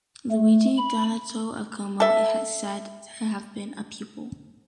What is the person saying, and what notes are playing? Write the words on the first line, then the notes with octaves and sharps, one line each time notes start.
Luigi Donato of Como is said to have been a pupil.
A3
B5
A4 E5